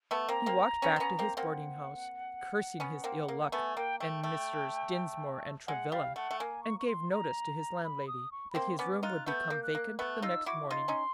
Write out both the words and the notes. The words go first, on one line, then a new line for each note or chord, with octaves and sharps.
He walked back to his boarding-house, cursing his ill luck and Messrs. Dinsmore and Travilla, and gave notice to his landlady that his room would become vacant the next morning.
A3 B3
A#3 C4 A#5
A#3 C4
B3 C#4
C4
B3 C#4
A#3 C4
A#3 C4 F#5
B3 C#4
A#3 C4
A#3
A3 B3 G#5
A#3 G5
A3 G5
A3
G#3 F#5
G3 F5
A3 F#5
A3
A#3 G#5
C#6
C#6
C6
A#5
B5
D#6
C#6
B5
A#3 C4 C6
B3 C#4 D6
D#4 F4 F#6
A3 B3 G6
A#3
F#6
A#3
A3 B3 F#6
D#4 F4 E6
E4 F#4 D6
D#4 F4 C6
C#4 D#4